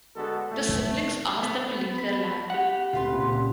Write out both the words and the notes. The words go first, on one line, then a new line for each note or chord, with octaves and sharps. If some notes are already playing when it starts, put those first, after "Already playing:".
The siblings ask them to leave their land.
D3 G#3 B3 F#4 A4
C#2 A2 A3
B3
B5
G4 F#5
D2 C3 F4 B4 C6
C#2 A#2